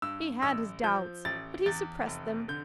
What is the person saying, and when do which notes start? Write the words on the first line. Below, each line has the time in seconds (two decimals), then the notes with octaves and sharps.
He had his doubts, but he suppressed them.
0.02 G2 E6
0.42 A1 E6
0.84 F3 G6
1.25 A1 A6
1.66 E2 A6
2.07 F1
2.48 D3 G6